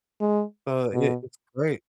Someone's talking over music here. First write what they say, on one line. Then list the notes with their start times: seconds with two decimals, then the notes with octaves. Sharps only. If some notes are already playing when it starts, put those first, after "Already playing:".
So, i it's great.
0.21 G#3
0.93 B2